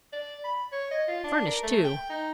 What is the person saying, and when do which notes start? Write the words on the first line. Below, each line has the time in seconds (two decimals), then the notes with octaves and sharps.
Furnished, too.
0.13 D5
0.44 B5
0.72 C#5
0.91 D#5
1.08 F4
1.24 D4
1.47 A#4
1.63 A3
1.84 G5
2.10 D#4